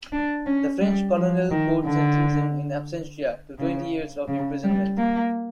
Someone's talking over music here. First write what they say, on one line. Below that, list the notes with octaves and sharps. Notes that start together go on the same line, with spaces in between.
The French colonial court sentenced him "in absentia" to twenty years of imprisonment.
D4
C#4
G3
F3
D#3
D3
C#3
C#3
G3
A#3